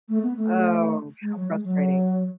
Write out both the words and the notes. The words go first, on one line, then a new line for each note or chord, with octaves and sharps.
Oh, how frustrating.
A3
B3
A3
G#3
F#3
G#3
F#3